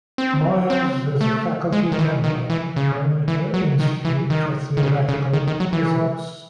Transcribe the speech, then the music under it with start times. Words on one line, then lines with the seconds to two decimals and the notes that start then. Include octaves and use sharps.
Myers is faculty member at the Perimeter Institute for Theoretical Physics.
0.18 C4
0.70 C4
1.21 A3
1.72 G#3
1.92 D#3
1.99 E3
2.24 D#3
2.50 E3
2.76 C#3
3.28 E3
3.54 F#3
3.80 D#3
4.05 E3
4.30 D#3
4.77 D#3
4.83 C#3
5.09 C#3
5.33 D#3
5.47 D#3
5.60 F#3
5.73 E3